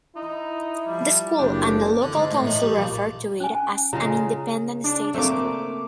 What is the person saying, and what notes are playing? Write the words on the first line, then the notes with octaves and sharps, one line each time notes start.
The school and the local council refer to it as an independent state school.
D#4 E4
F3 G3
F#1 D4 G4
D3
G#2
A2
D#3
G3
A#1
C#4 G#5
C#3 G#3 F4 A#5
D4
A3 A#3 C4 D6